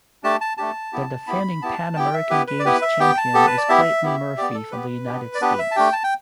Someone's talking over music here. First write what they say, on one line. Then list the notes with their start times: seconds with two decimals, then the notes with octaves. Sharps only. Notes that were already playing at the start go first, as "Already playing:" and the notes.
The defending Pan American Games champion is Clayton Murphy from the United States.
0.23 A3 D4 G4 A5
0.41 A5
0.57 A3 D4 G4 A5
0.93 B3 E4 G4
1.27 B3 E4 G4 B5
1.62 B3 E4 G4 A5
1.96 B3 E4 G4 G5
2.14 E5
2.30 B3 E4 G4 B4
2.47 B4
2.60 D5
2.65 B3 E4 G4 B4
2.82 E5
3.00 B3 G4 G5
3.18 A5
3.34 B3 G4 A4
3.47 B4
3.58 D5
3.69 B3 E4 G4 E5
4.03 B3 E4 G4
4.37 B3 G4 D5
4.54 A4
4.72 B3 G4 B4
5.07 B3 D4 G4
5.35 D5
5.41 B3 D4 G4 B4
5.59 E5
5.71 A5
5.76 A3 D4 G4 G5
5.93 A5
6.04 G5